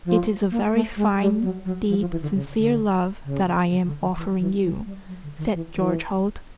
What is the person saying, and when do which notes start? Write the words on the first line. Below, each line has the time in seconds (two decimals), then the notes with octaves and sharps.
"It is a very fine, deep, sincere love that I am offering you," said George Holt.
0.05 F3
0.51 A#3
0.74 A3
0.97 G#3
1.20 G3
1.43 F#3
1.65 F#3
1.89 F3
2.00 F3
2.11 E3
2.22 D3
2.35 C#3
2.57 D3
3.25 C#3
3.71 C#3
3.86 D3
4.01 D#3
4.16 E3
4.39 E3
4.62 F#3
4.86 G3
5.08 F#3
5.23 D3
5.38 D#3
5.54 E3
5.76 E3